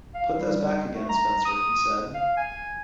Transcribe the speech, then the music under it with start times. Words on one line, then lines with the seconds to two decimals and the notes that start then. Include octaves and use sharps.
"Put those back again, Spencer," he said.
0.14 F5
0.39 G3
0.93 A3
1.09 A#5
1.45 D#6
2.14 F5
2.37 G#5